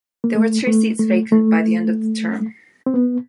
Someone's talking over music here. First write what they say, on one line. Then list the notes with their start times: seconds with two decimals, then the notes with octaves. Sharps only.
There were two seats vacant by the end of the term.
0.24 A#3
0.35 A3
0.67 A3
0.99 A3
1.32 A3
2.86 C4
2.94 B3